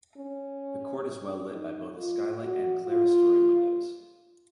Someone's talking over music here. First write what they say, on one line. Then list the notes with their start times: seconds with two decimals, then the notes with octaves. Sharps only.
The court is well lit by both a skylight and clerestory windows.
0.17 C#4
1.52 D#4
1.97 F4
2.42 F#4
2.87 F4